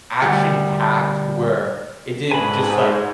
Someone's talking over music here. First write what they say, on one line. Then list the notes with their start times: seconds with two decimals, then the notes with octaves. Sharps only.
action-packed where it didn't just, like,
0.22 D2 G3 F#5
2.31 D2 G#2 B4 G#5 B5